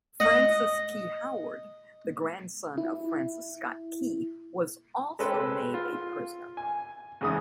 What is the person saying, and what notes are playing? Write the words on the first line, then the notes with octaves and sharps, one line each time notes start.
Francis Key Howard, the grandson of Francis Scott Key was also made a prisoner.
D#5 F#5
E4
G#3 C#4 A4 B4 C5 G5
F4
G#5
E2 G#2 C#3 G#3 D#6